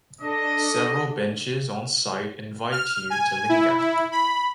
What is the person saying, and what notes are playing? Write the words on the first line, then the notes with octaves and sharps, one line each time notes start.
Several benches on site invite you to linger.
D4 A4 D#5
F6
G#5
E4
E4
B5